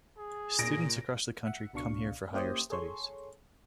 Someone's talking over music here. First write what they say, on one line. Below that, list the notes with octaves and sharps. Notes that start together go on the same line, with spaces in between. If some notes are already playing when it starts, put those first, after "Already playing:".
Students across the country come here for higher studies.
G#4
A#2 A#6 D7
E5 F#5
C#2 B2 D4 F5 C#6
A#3 C#4 E4 G4 C5 D#6
G#4 A4 C#5 C6 C#6